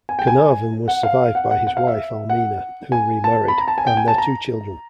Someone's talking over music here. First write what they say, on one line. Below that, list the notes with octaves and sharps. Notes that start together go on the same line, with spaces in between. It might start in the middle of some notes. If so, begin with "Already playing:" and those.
Carnarvon was survived by his wife Almina, who remarried, and their two children.
G#5
G5
G#5
F#5
F5
F#5
F#5
F#5
F5
E5
F#5
G#5
A5
B5
A#5
A5
G#5
G5
G#5
A5
A#5